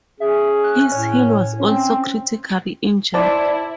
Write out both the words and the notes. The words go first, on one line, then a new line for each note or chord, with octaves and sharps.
His heel was also critically injured.
C#4 G#4 E5
F#6
A2 C#5
C4 C#4
E4 C5 D5 A5